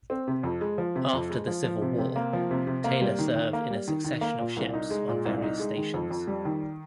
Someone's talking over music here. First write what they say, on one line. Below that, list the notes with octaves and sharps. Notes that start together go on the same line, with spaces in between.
After the Civil War, Taylor served in a succession of ships on various stations.
C4
C3
F2
G#3
F3
C3
F2
G#3
F3
F3
C3
C3
A#3
F3
C3
C3
A#3
G3
D#3
D#3
A#3
G3
D#3
D#3
A#3
A#2
C2
D#4
G#3
A#2
C2
D#4
G#3
D#3
F2
F2
G3
D#3